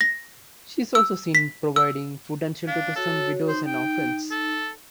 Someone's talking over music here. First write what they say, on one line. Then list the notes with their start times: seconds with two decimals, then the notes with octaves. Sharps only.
She is also seen providing food and shelter to some widows and orphans.
0.01 A#6
0.95 E6
1.35 B6
1.76 E6
2.67 D4 F5
2.96 F#4 A4 C#5
3.49 D#4 C5
3.66 G5
4.31 A4